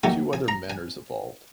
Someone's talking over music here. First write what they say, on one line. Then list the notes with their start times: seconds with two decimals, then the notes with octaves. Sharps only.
Two other manors evolved.
0.03 D#2 D#3 F#3 G#5
0.33 G#5
0.48 A#5
0.70 G#5